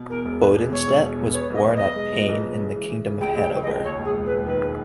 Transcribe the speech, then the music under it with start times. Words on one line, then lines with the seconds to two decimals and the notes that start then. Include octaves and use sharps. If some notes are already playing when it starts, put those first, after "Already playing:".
Bodenstedt was born at Peine, in the Kingdom of Hanover.
Already playing: B2
0.09 E2 A#4
0.25 E1
0.40 B2 B4
0.55 E2
0.71 E1 C#5
0.87 E1
1.03 B2
1.18 E2
1.33 B3 C#5
1.50 B1 D#5
1.65 B3
1.76 B1 D#5
1.96 G#3
2.12 A#2
2.28 B1
2.44 G#3
2.59 C#3
2.75 E3
2.89 E3
3.06 C#3
3.21 C#2 G5
3.36 C#2
3.43 G5
3.52 C#3
3.63 D#5
3.68 C#2
3.84 D#2 C#5
3.99 E1
4.04 G#4
4.14 G#3
4.26 B4
4.31 E1
4.46 D#3 B4